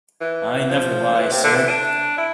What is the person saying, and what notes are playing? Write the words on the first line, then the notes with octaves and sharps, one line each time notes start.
I never lie, sir.
E3
F3
F3
E3
C3
D3
E3
D4
E4